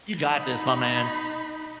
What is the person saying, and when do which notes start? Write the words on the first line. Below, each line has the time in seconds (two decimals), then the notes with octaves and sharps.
You got this, my man.
0.21 D#4 B5